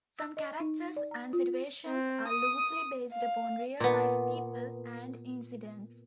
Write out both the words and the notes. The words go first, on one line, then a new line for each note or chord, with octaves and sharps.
Some characters and situations are loosely based upon real-life people and incidents.
E6
D#5
D#4
D5
A#5
F4
C4
D#6
F5
A#2 B3